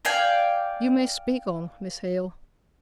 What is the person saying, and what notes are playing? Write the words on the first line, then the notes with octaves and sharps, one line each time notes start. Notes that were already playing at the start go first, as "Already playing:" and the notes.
'You may speak on, Miss Hale.
D5 F5 G5 G#5